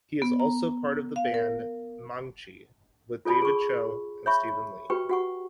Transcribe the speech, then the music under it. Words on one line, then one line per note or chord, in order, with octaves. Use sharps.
He is also part of the band Mangchi with David Choe and Steven Lee.
B3
A#5
F5
A#4
F4 A4 D5 A5 B5
G#4 C#6
C#5 E5 B5 C#6
F#4 G4 B4 G5 C#6
F#4 F#5 C#6